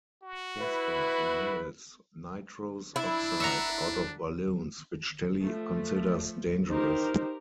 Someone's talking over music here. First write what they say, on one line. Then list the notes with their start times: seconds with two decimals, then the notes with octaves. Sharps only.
Casper inhales nitrous oxide out of balloons, which Telly considers dangerous.
0.23 F#4
0.60 E4 B4
2.96 D4 E4
3.40 E5 F#5 A#5
5.42 F3 A3
6.70 D#4 G4 A#4 C5